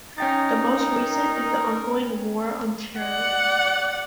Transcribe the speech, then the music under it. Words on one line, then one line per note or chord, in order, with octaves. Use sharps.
The most recent is the ongoing War on Terror.
C#4 D#4 G5 A6
A#4
D5 F#5